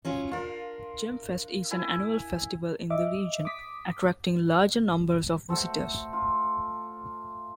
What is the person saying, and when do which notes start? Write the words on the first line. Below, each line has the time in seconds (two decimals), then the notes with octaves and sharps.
GemFest is an annual festival in the region, attracting large numbers of visitors.
0.05 F#3 C#4 F4
0.31 D4 F4 A#4
1.71 E4 G#5
2.90 D#5 E5 D6
3.45 D6 D#6 B6
5.49 A3 F#4 A4 C5
6.13 F4